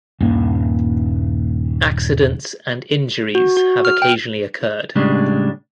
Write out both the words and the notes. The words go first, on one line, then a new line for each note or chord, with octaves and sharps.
Accidents and injuries have occasionally occurred.
D#1 G2 A#3
F#4
F#4
F6
G5
A2 C#3 G3 G#3 D4